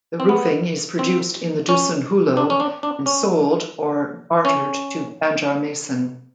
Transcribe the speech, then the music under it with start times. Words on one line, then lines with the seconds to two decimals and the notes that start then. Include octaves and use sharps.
The roofing is produced in the Dusun Hulu and sold or bartered to Banjarmasin.
0.20 C4
0.29 B3
0.99 C4
1.69 C#4
2.37 D4
2.50 C#4
2.60 D4
2.83 D4
3.06 C#4
4.45 C#4